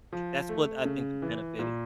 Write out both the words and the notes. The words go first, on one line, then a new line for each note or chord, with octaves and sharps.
that's what I think the benefit is.
F3
A3
C#3
E3
A#2